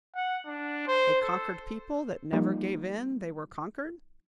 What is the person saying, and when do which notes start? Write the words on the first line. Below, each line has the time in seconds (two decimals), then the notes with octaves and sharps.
A conquered people that never gave in they were conquered.
0.15 F#5
0.47 D4
0.87 C5
1.22 A4
2.33 F3 G3 A#3 D#4 F4 G4